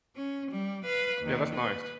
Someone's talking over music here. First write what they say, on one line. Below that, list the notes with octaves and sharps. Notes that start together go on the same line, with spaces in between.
Yeah, that's nice.
C#4
G3
B4 F5
D#2 D#3
B4